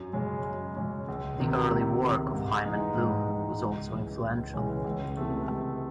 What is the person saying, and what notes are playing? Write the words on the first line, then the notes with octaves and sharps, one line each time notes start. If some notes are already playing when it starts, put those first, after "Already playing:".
The early work of Hyman Bloom was also influential.
Already playing: F#2
C#3 G#3 C#4
F#2
C#3 G#3 C#4
C#2
C3 D#3
C#2
C3 D#3
G#2
E3 G#3 D#4
G#2
E3 G#3 D#4
C#2
C#3 E3 G#3 C#4
C#2
C#3 E3 G#3 C#4
C#2
C3 E3 A3
C#2